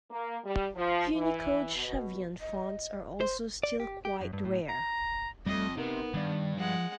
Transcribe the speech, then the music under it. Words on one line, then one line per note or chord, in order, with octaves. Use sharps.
Unicode Shavian fonts are also still quite rare.
A#3
G3
F3
E3
B2
D#5
C5
D5
G4
G4
F#2
G2
A2
A#5
F2 G3 A3 D#5
C3 B3 D#4 A#4
G2 D#3 D5
F3 G#3 F#5